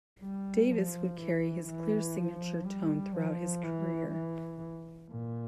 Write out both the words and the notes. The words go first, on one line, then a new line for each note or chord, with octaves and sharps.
Davis would carry his clear signature tone throughout his career.
G3
F3
E3
E3
F3
G3
F3
E3
E3
A#2